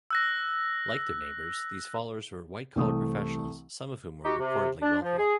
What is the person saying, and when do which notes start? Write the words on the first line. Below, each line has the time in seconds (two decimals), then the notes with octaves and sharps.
Like their neighbors, these followers were white-collar professionals, some of whom were reportedly wealthy.
0.10 E6 F#6 A#6
2.76 C2 C3 E3 A3 C4 D#6
4.23 D#4 F#4 G4
4.39 C3
4.81 D4
5.01 F3
5.18 G#4